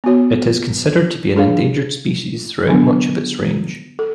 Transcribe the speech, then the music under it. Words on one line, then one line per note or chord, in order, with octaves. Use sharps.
It is considered to be an endangered species throughout much of its range.
B3 F#4 C#5
D4 G#4 C#5 F5
D3 F#3 B3 D4
A4